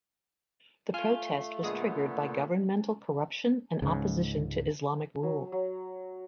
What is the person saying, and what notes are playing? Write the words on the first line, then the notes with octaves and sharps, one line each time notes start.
The protest was triggered by governmental corruption and opposition to Islamic rule.
A3 F4 G#5 F6
A#2 D3 G#3 B3 G#4 D#6
C#2 G#2 C#3
F#3
F#3